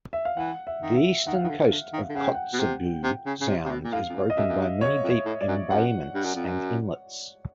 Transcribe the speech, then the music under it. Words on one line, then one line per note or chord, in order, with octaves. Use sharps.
The eastern coast of Kotzebue Sound is broken by many deep embayments and inlets.
E5
F5
E3 F#5
E5
D#3
E5
D#3 F#5
F5
D#3 F#5
D3
D3
D#3
D3
C#3 F#5
G5
F#5
B2
C3
C3
C#3
C#3
C3
C3
B2
A#2
A2 F5
F2
F#2
D#5
F#2 E5
F#2
G2
F#2 C#5
F2
C#5
A2
D5
F#2
F#2 F#5
G2
F#2
F2
F#2